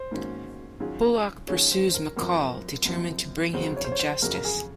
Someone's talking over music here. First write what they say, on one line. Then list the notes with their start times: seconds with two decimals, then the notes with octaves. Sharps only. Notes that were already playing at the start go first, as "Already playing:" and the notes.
Bullock pursues McCall, determined to bring him to justice.
Already playing: C5
0.11 G#2 D#3 A#3 C#4 F#4
0.80 D#3 F#3 C#4 F4 G#4
1.48 D#3 F#3 C#4 F4 G#4 C#5
1.72 C5
1.89 C5
1.94 A#4
2.16 F#2 F3 C4 A#4
2.85 F#2 F3 C4
3.53 F2 C#3 F#3 C5
3.76 C#5
3.84 C5
3.92 C#5
3.99 C5
4.22 F2 C#3 F#3 A#4
4.34 A#4
4.45 G#4